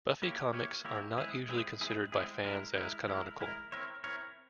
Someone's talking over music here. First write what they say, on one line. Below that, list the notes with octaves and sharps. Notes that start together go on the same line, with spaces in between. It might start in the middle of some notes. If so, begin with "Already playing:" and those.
Buffy comics are not usually considered by fans as canonical.
A#3 E4 G4 C#5
A#3 E4 G4 C#5
A#3 E4 G4 C#5
G#3 C4 E4 G#4
G#3 C4 E4 G#4
G#3 C4 E4 G#4
G#3 C4 E4 G#4
G#3 E4 A#4
G#3 E4 A#4
G#3 E4 A#4
G#3 E4 A#4
C4 E4 A#4 C#5
C4 E4 A#4 C#5